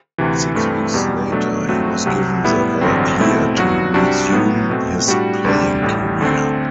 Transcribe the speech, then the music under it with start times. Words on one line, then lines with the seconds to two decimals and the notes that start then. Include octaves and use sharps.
Six weeks later, he was given the all-clear to resume his playing career.
0.18 D2 C3 E3
0.55 G2 E3 A3 C4
0.94 E2 B2 G3
1.31 B2 F#3 A3 D4
1.68 G2 F#3 A3 C4 F#4
2.06 C2 C3 F#3
2.44 A2 G3 B3 E4
2.81 A1 G2 D3 F#3 C4
3.19 B2 A3 C4 E4
3.56 G2 F#3 B3 F#4
3.94 C2 C3 G3 D4 F#4
4.32 A2 F#3 B3
4.70 B2 A3 C4 F#4
5.07 A2 G3 D4 F#4
5.45 D2 C3 G3 D4
5.82 A1 A2 G3
6.21 D2 D3 A3 C4